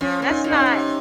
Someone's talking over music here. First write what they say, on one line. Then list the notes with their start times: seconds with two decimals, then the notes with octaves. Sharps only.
And that's not
0.01 F3 C#4
0.22 A#2
0.29 D#4
0.44 A#2
0.50 D#4
0.60 C#4
0.66 C3